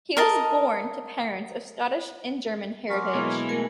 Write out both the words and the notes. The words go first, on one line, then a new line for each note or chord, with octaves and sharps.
He was born to parents of Scottish and German heritage.
A#4 D#5 A5
F#3 C#4 F#4 A#4 C6 D6
B2 E3 G#3 A#3
A3 A#4 G#5